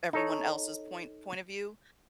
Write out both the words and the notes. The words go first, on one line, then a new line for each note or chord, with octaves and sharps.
everyone else's point point of view,
D#4 A4 C#5